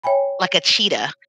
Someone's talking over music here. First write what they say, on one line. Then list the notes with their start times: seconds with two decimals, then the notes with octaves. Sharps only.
like a cheetah,
0.03 C#5 E5 G5 G#5 B5